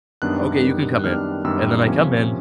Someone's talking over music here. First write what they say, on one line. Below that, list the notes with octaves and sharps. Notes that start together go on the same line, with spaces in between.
"Okay, you can come in." And then I come in
F#2 D#3 G3 B3 D4 F#6
F#2 D#3 G3 B3 D4
F#6
F#2 D#3 G3 B3 D4 F6
F#2 D#3 G3 B3 D4 E6
C3 F3 A#3 C#4